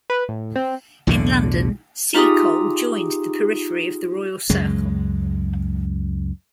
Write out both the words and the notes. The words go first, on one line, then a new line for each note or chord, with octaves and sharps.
In London, Seacole joined the periphery of the royal circle.
B4
A2
C4
B1 E2 A2 D3
D#4 F4 G4 G#4 A#5 D#6
C#2 F#2 G#3